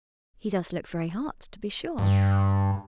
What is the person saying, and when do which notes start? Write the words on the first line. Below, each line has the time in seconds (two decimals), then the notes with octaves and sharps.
"He does look very hot, to be sure."
1.99 G2